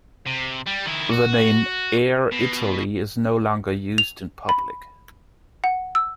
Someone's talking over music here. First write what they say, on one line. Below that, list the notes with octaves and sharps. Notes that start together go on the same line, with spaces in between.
The name "Air Italy" is no longer used in public.
C3
G3
D#3 E4
F#4
B2
F7
B5
F#5
E6